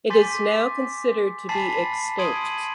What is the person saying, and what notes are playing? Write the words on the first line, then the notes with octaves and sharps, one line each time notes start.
It is now considered to be extinct.
G#5 C6 D6 G6 A6 B6
G#5 A5 B5 A6 B6 C7
C6 D#6 G#6 D7 D#7 F#7